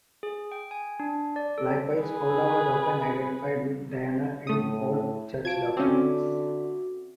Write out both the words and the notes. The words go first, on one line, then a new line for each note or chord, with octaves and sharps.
Likewise, Holda was often identified with Diana in old church documents.
G#4
G5
G#5
D4
D5
A4
G#4 B4
A2 A3 D#6
F4 F#4 A5 G#6 D7
D3 C4 C#4 F#4 E5 D6